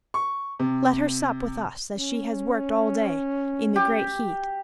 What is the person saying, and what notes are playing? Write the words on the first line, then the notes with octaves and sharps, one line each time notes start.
Let her sup with us, as she has worked all day in the great heat.
C#6
C3
C#4
G4